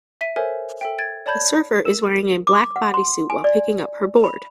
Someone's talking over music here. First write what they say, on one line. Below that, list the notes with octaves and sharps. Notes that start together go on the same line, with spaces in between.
The surfer is wearing a black bodysuit while picking up her board.
E5 B6 D#7
A4 A#4 C5 C#5 E5 G#5
A4 E5 G5
G#6 A6 D7
C#5 D5 A5 B5 G6 G#6
A#4
D6
F#5
C6
G#5
D5
B5